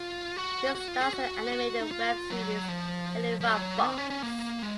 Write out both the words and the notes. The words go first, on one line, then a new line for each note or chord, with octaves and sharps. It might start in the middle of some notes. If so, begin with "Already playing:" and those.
He stars in the animated web series "Helluva Boss".
Already playing: F4
F#4
F#4
F4
G#4
F#4
F#4
D#4
F4
F#3
F3
F3
F#3
C4
C#4
C#4
A#3
G#3